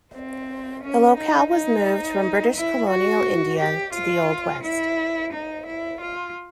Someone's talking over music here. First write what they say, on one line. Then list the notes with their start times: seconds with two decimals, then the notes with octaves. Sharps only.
The locale was moved from British-colonial India to the old West.
0.14 C4
0.83 C#4
1.17 D#4
1.52 D#4
2.56 E4
2.89 F#4
3.59 G4
3.94 F4
4.63 E4
5.33 D#4
5.66 E4
6.01 F4